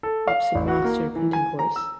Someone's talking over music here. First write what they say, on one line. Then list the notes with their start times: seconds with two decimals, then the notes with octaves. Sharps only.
Epson Master Printing Course.
0.03 A4
0.27 F5
0.55 A1
0.68 F#4
0.84 A#3
1.16 E3
1.33 G#5
1.59 A#5
1.76 E6